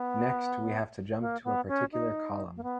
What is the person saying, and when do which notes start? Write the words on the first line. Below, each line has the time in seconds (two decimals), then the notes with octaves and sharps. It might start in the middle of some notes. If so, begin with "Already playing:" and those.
Next, we have to jump to a particular column.
Already playing: B3
1.20 A#3
1.44 B3
1.68 C#4
1.92 D#4
2.57 A#3
2.63 B3